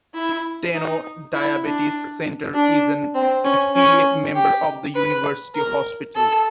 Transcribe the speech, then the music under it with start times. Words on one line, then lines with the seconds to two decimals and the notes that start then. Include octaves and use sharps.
Steno Diabetes Center is an affiliate member of the University Hospital.
0.14 E4
0.74 D#4
1.34 E4
1.64 D4
2.54 D4
3.14 C4
3.44 C#4
3.75 C#4
4.35 G4
4.95 B4
5.55 A#4
6.16 A4